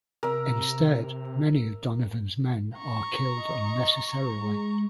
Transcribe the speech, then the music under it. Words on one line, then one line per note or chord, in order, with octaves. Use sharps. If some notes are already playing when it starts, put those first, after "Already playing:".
Instead, many of Donovan's men are killed unnecessarily.
C3 A#4 E5
A#5 C#6
D#5
G#3